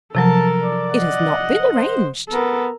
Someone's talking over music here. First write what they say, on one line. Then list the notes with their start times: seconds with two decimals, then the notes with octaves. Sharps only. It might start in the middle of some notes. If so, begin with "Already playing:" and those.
"It has not been arranged."
0.15 C3 F3 F#3 A4 A#4 A5
0.61 D5
0.93 D#5 F#5
1.73 C5
2.29 B3 A4 A#4